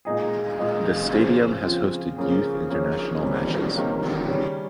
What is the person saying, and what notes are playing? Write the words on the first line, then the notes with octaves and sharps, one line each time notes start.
The stadium has hosted youth international matches.
A#2 G#3 D#4 G#4
A#2 G#3 D#4 G#4
C#3 F3 C4 F4
C#3 F3 C4 F4
C#3 F3 A#3 C#4 G#4
C#3 F3 A#3 C#4 G#4
C3 D#3 G3 A#3 C#4
C3 D#3 G3 A#3 C#4
C#3 G3 C#4